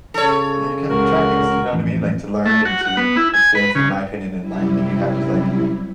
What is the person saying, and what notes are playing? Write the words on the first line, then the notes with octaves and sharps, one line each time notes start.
you can you try things, you know what I mean? Like, to learn, and to experience in my opinion in life, if you have to, like,
C#3 A4 C#5
C#2 F#4 A#4
A1 F2
A3
F#4
F#5
B3
E4
G#5
B4
C#3
F#2 C3 G3 E4